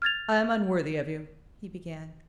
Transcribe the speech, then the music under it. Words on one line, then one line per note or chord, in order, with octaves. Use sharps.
"I am unworthy of you," he began.
F6 G#6 A6 F7